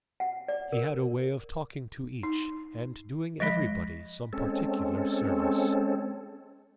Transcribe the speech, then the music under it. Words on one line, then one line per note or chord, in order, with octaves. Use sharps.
He had a way of talking to each and doing everybody some particular service.
F#5
D5
A#4
D#4
F3 G#3 D#5 B5 A#6 B6
G#3 C4 C#4 A4